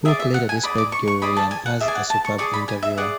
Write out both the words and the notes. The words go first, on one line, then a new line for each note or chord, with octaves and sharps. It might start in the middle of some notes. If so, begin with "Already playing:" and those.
Hook later described Gerry Ryan as "a superb interviewer".
G#4 D5 E5
E5
F#5
G#5
G#4 D5 B5
D6
C#6
C#6
G#4 D5 B5
A5
G#5
F#5
G#4 D5 E5
G#5
F#5
A5
C#6
G#4 D5 C#6
B5
G#5
E5
G#4 D5 F#5